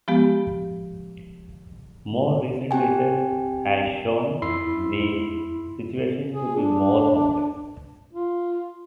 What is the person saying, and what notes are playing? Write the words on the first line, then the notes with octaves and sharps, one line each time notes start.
More recent research has shown the situation to be more complex.
F3 G#3 B3 G4
C4 G4 G5 G#5
F2 E4 B5 C6 E6 C7
G#4
D4
F4